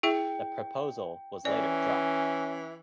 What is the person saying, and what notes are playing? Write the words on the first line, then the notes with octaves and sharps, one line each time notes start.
The proposal was later dropped.
E4 G#4 E5 G5
E3 C#4 D5